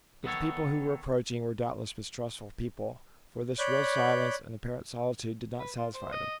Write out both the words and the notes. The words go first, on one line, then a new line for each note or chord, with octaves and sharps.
But the people who were approaching were doubtless mistrustful people, for this real silence and apparent solitude did not satisfy them.
D#3 B3 A4 C#5
C#5 D5 B5 F#6 G6
B4
F4
C5
D#5